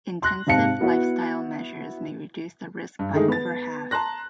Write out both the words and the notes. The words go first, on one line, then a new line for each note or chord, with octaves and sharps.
Intensive lifestyle measures may reduce the risk by over half.
C6 F#6 A#6
G#2 C3 F5 A5 C#7
B3 E4 F#4 B4
G2
D3 D#3 G#3 A3 D#4 G#4
B3 A6
A5 A#5 C6 F#6 A#6